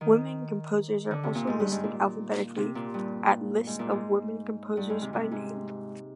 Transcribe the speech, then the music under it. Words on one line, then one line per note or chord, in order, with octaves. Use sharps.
Women composers are also listed alphabetically at List of women composers by name.
D#3
D3
C3
A#2
G#2
G2
G#2
A#2
C3
A#2
G2
G#2
A#2
G#2
G2
G#2
C3
C3
G#2